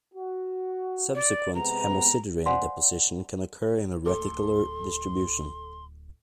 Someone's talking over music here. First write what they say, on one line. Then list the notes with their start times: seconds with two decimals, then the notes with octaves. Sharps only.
Subsequent hemosiderin deposition can occur in a reticular distribution.
0.14 F#4
1.14 D5
1.54 C3 G#3 B3 A#5
2.46 C5 D5 F5 F#5 G#5 C6
4.06 D1 A4 C6 D6